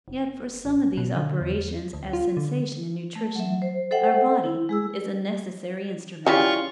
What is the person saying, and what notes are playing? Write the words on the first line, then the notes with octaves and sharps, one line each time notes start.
Yet for some of these operations, as sensation and nutrition, our body is a necessary instrument.
F1
G#1
B2
D3
E2
D2
F4
D3
A3
F#3 E5
C5
A4 C5 E5 F#5 G5
E4
G#3 G#4 E6
C#3 E3 G3 F4 C#6